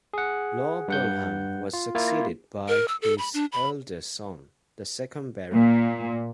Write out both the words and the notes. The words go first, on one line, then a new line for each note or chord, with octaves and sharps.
Lord Burnham was succeeded by his eldest son, the second Baron.
G#4 F#5
G2 F#5 G6
F4
A#3 E4 F4
A#4
E6
A4
B5
D4
B5
A#2